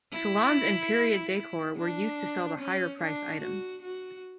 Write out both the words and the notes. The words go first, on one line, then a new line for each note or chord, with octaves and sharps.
Salons in period decor were used to sell the higher-price items.
E4
D4
C#4
D4
F#4
F#4